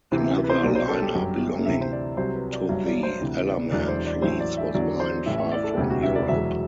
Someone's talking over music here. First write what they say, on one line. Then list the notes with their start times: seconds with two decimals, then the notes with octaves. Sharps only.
Another liner belonging to the Ellerman fleets was mined far from Europe.
0.11 D2 C3 E3 C5
0.25 E5
0.44 B4
0.50 C5
0.63 B1 B2 F#3 D5
0.75 C5
0.88 A4
1.02 G4
1.08 A4
1.14 G1 F#2 F#3 G4
1.40 G4
1.65 D2 C3 E3 E5
1.81 C5
1.92 D5
2.17 C2 C3 F#3 C5
2.34 B4
2.52 D5
2.69 G1 G2 F#3 E5
2.86 D5
3.03 C5
3.20 D2 C3 E3
3.46 D5
3.71 E1 E2 D3 F#3 D5
3.88 C5
4.06 D5
4.22 A1 A2 F#3 C5
4.40 D5
4.57 E5
4.74 E2 D3 F#3 D5
5.00 C5
5.26 A1 A2 E3 E5
5.38 E5
5.51 D5
5.64 A4
5.76 E1 D2 C3 E3 G4
5.90 F#4
6.03 E5
6.15 D5
6.28 E1 E2 B2 F#3 E5